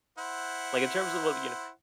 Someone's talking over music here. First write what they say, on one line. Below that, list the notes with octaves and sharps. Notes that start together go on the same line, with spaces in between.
like, in terms of what, you know,
E4 C5 F#5